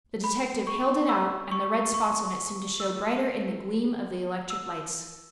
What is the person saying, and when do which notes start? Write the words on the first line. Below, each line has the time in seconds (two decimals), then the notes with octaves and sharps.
The detective held it out, and the red spots on it seemed to show brighter in the gleam of the electric lights.
0.24 B5
0.67 C#6
1.09 E6
1.51 C#6
1.94 C#6
2.80 E6
4.50 E6